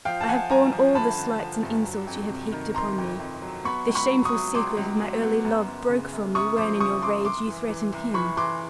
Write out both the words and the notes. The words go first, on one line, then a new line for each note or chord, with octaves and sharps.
I have borne all the slights and insults you have heaped upon me. The shameful secret of my early love broke from me when in your rage, you threatened him.
F3 F5 G5
A5
F3 F#5 G#5
G1 G#5 A#5
F3
D3 A5 B5
D3
F3
G2
F#3
F2
C3
D#3
D#3 A#5 C6
F2
F2
F#3
B3 B5 C#6
C#2
B5 C#6
F#3
C#6 D#6
F#3
C#2 C6 D6
C#2
F#3
B3
F#2
F#1
C#3
F#2
F#2 C#6 D#6
F3 C6 D6
C#3 C#6 D#6
F#2 C6 D6
C2 C6 D6
E3
E3
C2
E3 B5 C#6
E3 C6 D6